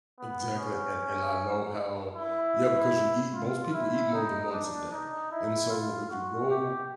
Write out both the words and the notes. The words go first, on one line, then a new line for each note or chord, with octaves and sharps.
Exactly, and and I know how yeah, because you eat most people eat more than once a day, and so, if you go
B3
C#4
E4
F4
E4
D#4
D4
D#4
E4
F4
F#4
G4